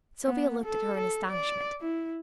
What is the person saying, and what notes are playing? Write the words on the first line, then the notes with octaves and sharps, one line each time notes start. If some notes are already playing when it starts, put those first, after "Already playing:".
Sylvia looked at her in astonishment.
B3
A4
A4
D5
E4